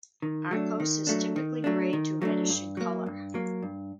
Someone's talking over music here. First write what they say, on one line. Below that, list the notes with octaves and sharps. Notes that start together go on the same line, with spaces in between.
Arkose is typically grey to reddish in colour.
D#3
F#3 A3 D4
D#3
F#3 A3 D4
D#3
F#3 A3 D4
D#3
F#3 A3 D4
G2
F#3 A#3
G2
F#3 A#3
G2